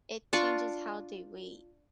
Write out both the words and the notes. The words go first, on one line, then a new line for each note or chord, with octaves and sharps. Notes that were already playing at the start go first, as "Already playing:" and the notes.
it changes how they wait,
D4 F4 D5 C#6